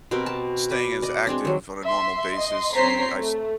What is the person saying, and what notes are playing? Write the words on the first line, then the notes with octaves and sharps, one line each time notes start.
staying as active on a normal basis, you I s
B2 C4 G4 A#4
A5
B4 D5
D5 D#5
G#3 C4 D4
D#3 F#3
E5 C6
D#5 C6
C4 C5 C#5 A#5 B6 C7
A3